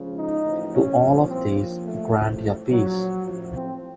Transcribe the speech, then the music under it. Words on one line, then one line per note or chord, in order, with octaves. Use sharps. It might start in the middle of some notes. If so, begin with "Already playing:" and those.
To all of these, grant your peace.
Already playing: C#2 C#3 F3
D#4
A1 A2 F3
C#4
C2 A#2 F3
C4
A#1 A#2 F3
A3
A1 A2 F3
A#1 A#2 F3 F#3
A1 A2 F3
C4